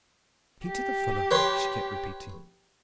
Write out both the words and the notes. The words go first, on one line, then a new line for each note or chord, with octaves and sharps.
"Peter the fuller!" she kept repeating.
G4
B4 C#5 C6